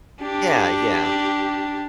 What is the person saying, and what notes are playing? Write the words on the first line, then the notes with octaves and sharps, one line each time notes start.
Yeah. Yeah.
D4 G4